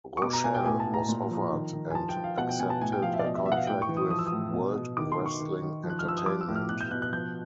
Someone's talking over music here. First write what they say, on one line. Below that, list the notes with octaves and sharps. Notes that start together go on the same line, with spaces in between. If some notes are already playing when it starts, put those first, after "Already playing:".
Rochelle was offered and accepted a contract with World Wrestling Entertainment.
C#6
B2 D6
A#5
B2 G#5
G5
A2 G#5
A5
A2
A#5
A#2
F3
D#3
D#3
G#5
F3 A5
G5
F3
F5
B2 F#5
G5
B2 G#5
A5
A2 G#5
G5
F3 F5
E5
D5
B2 D#5
E5
B2 E5
F#5
F5
A2 G5
C#6
E3
D#6
F3 D#6
E6
D#6
A2
B2
B2
D#3 D6
C6
D#3
C#6
D#3
D#3
F3
F#6
F6
F3 E6
D#6
F3 D6
E6
A2
F6
B2 F#6
G6
B2 F#6
F#6
F3 G6